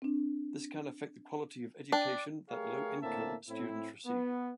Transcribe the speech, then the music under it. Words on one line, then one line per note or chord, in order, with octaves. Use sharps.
This can affect the quality of education that low-income students receive.
C4 D4
D4 G5
A3 G4 G#4 A#4 C#5 F5
A2 D3 A#3 C4 E5 A5
A2 C4 E4
B3